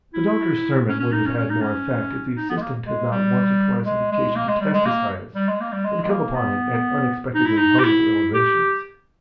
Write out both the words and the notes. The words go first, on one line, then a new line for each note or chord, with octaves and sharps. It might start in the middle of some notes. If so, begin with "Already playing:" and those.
The doctor's sermon would have had more effect if the assistant had not once or twice had occasion to test his highest, and come upon it at unexpectedly humble elevations.
E4
C#4
C#4
D#4
C#4
C#4
D#4
C#4
D#4
B3
G#3
A#3
G#3
G3
G#3
G#3
A#3
G#3
G3
G#3
A#3
G3
G#3
A#3
G3
G#3
G#3
A#3
B3
D#4
E4
D#4
G4
E4
G4